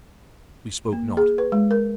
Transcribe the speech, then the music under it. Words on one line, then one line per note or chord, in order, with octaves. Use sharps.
We spoke not.
A#3
G#4
B4
G#3
A#4